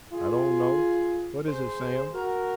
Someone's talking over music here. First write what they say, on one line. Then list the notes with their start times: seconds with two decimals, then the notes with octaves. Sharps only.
"I don't know,--what is it, Sam?"
0.12 F4 G#4
1.46 G#4 C5
2.13 F#4 A#4